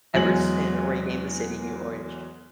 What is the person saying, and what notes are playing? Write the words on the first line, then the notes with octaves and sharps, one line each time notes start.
Evertsen renamed the city New Orange.
E2 F#3 G#3 F#7